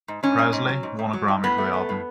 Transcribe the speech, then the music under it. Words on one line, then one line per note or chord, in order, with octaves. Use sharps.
Presley won a Grammy for the album.
G#2
G#2 C#4
G#2
G#2
F#3
G#2
G#2
F#3
G#2
A2 B3
A3
A3
A2